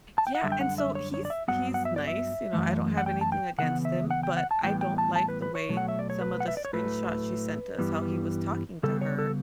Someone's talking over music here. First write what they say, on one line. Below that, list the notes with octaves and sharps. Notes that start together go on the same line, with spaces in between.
Yeah, and so he's he's nice, you know, I don't have anything against him, but I don't like the way some of the screenshots she sent us, how he was talking to her.
A5
G5
F#5
F#2 D3 G3 E5
G5
F#5
E5
C#5
C#5
D5
E5
G2 F#3 B3 F#5
F#5
E5
D5
E5
F#2 C#3 E3 A3
F#5
G5
A5
G5
C#3 E3 B3 F#5
E5
F#5
G5
F#5
A5
A2 E3 G3 B3 G5
G5
A5
A5
B4
B4
C#5
B2 F#3 A3
F#5
E5
D5
C#5
B4
F#5
E5
D5
C#5
A2 F#3 A3 B4
G2 E3 G3 B3
C#3 G3 B3 A4
C#5
A4